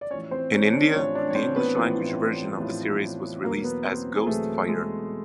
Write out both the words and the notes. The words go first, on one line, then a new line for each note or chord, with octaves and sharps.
In India the English-language version of the series was released as "Ghost Fighter".
D5
A1 A2 F3 C#4 C#5
C4 C5
C#4 C#5
D4 D5
A1 A2 F3 C#4 C#5
D4 D5
C#5
C4 C5
B3 B4
A1 A2 F3
A1 A2 F3
E2 B2 F#3 A#3 A#4
B3 B4
C4 C5
G#4
E2 B2 F#3 A3 A4
G#3 G#4